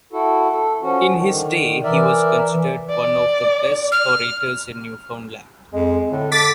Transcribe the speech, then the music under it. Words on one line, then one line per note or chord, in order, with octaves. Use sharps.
In his day he was considered one of the best orators in Newfoundland.
E4 F#4 A4
A4
F3 C#4 F#4
D3 D#3
E3 A#4 D5 E5
D5
F6
F2 G#3
A2 D3
A4 D6 A6 B6